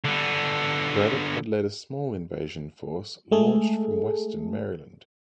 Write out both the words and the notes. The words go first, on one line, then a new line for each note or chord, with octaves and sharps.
Braddock had led a small invasion force launched from western Maryland.
D3 B3
G#3 A3 G#4 A4